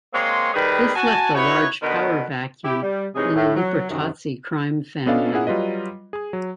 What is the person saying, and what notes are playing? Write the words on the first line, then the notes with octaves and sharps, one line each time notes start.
This left a large power vacuum in the Lupertazzi crime family.
G#3 A#3 C4 C#5 C6
D#3 G3 G#4 B4
F#4 G#5 A5
D#4 E4 F#4 B4 C#5
B2 D3 D#3 B3
E4 G4
G3
C3 E3 G#3 C#4 D#4 G#4
A2
F#3
F#2 C3 D#3
B3 C#4 D4 A4 D#5 F5
A#3 C#4 E4 G#4 F#5
F#3 G3 F4 B4 D#5
G#4
F#3